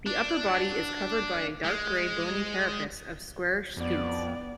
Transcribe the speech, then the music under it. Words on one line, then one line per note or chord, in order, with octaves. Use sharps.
The upper body is covered by a dark grey bony carapace of squarish scutes.
D4
G#3
F2 B3 D5